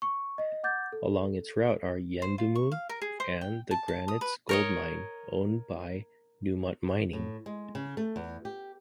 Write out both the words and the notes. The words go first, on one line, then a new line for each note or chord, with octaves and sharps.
Along its route are Yuendumu and The Granites gold mine owned by Newmont Mining.
C#6
D#5
F#5 D6 G6 A6
A4
C5
F4
C#6
F5
A#4
G#4
C5
G5
A5
A5
D#6
B4
A#4 C#5 D#5
A2
G#3
C#3
A3
E2
G4